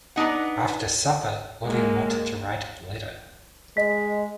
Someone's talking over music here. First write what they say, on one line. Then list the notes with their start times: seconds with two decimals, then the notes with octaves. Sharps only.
After supper William wanted to write a letter.
0.16 B3 D4 D#4 F#5
1.65 G#3 A#3
3.77 G#3 D#5 B6